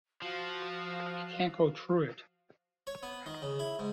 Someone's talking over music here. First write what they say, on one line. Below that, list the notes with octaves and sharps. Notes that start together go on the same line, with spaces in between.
You can't go t'rough it.
F3 F#4 F5
C#5
B3
D#3
C#3
E4
G#2